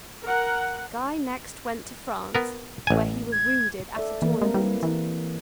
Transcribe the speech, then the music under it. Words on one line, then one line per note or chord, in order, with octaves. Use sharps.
Guy next went to France, where he was wounded at a tournament.
A#4 F#5
B3 A#4
A1 G#5
G#6
A4 D5 E5
E3 A#3 A4 A#4
G#3 C4 G4 A#4
G3 E4 B4
E3